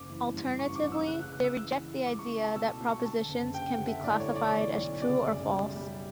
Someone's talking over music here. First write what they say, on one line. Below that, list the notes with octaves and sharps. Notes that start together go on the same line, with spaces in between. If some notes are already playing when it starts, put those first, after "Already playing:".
Alternatively, they reject the idea that propositions can be classified as true or false.
Already playing: F#1 D6
E3
G2
A1 C#6
D6
A1
E6
C#3 F#6
F#6
C#3 F#6
E6
E3 E6
E3
C#2 D6
C#6
A3
A5
B2 E6
B2
C#6
D3 A5
F#1
D3 G5
F#5
D3
E5
A2 D5
C#5
B1
D5
E3 D5
B1
C#3 D5
F#2
G3
G3